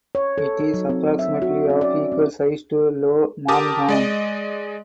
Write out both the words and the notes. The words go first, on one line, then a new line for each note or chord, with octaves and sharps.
It is approximately of equal size to Low Marnham.
C#5
A4
D#4
F#3
C4
E5
F#4
C#4
D5
C4
G4 A#4 A5 D6 D#6
G#3 D5 D#5